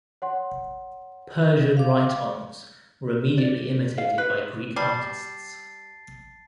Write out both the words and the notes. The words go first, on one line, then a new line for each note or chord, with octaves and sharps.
Persian rhytons were immediately imitated by Greek artists.
C#5 F#5 C6
F5 D6
D5
F5
B4
G3 A5 A6 C7